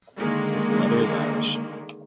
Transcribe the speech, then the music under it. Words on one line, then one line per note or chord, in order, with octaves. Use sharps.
His mother is Irish.
D3 D#3 G#3 A#3